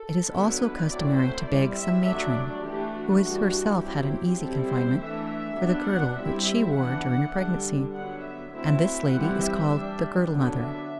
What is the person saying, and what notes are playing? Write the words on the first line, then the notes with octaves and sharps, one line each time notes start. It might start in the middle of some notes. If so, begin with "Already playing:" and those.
It is also customary to beg some matron, who has herself had an easy confinement, for the girdle which she wore during her pregnancy; and this lady is called the girdle-mother.
Already playing: A4
D3 F#3 B3 E4
B4
F#3 A3 C4 E4 D5
C5
G3 C4 E4 D5
E5
F#3 A3 D4 E5
D5
E3 A3 D4 G4
F#4
E3 G3 D4 F#4
F#3 C4 E4 G4
G3 C4 E4 A4
C5
E3 A3 D4 E5
E5
F#3 B3 D4
F#5
G3 C4 E4 E5
E5
E3 B3 D4 F#5
D3 G3 D4
D3 F#3 B3 F#5
E5
F#3 A3 C4 E4 E5
E3 G3 C4 E4 F#5
E5
G3 D4
D3 F#3 B3 D4
E5